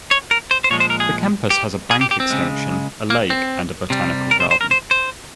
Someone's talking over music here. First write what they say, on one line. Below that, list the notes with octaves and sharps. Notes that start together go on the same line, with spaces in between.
The campus has a bank extension, a lake and a botanical garden.
C#5
A#4
C5
C5
A#2 F3 G#3 C#5
C5
A#4
G#4
G4
G#4
G4
G4
C4
C#3 G#3
A#3
C4
C3 G3
A#4
C5
C5
A#4
C5
C5